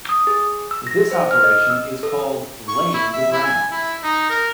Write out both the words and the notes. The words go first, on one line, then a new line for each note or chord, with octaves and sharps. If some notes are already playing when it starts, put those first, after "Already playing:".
This operation is called laying the ground.
D#6
G#4
E6
A#6
C5
F6
D#5
E6
A4
C#6
E4
E5
E4
G#5
E4
D#4
A#4